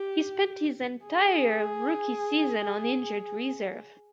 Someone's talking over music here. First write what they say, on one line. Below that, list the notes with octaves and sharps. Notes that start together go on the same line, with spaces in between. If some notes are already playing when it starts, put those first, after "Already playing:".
He spent his entire rookie season on injured reserve.
Already playing: G4
G#4